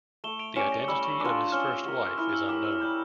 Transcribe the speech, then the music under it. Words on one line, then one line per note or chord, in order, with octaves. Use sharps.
The identity of his first wife is unknown.
A3 E7 G7
D7 F7
C#4 G4 D5 C#7 E7
A#6 D7
G3 E6
C#6
D4 F4 D6
C#4 F6
G4 A#4
E4 F6
F6
E6
G4 A#4 D6
E6
G3 G6